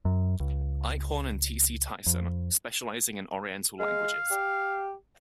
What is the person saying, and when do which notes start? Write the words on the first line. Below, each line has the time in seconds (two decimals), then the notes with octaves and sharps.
Eichhorn and T. C. Tychsen, specialising in oriental languages.
0.05 F#2
0.40 C#2
2.06 F2
3.80 G#3 F5
4.31 G4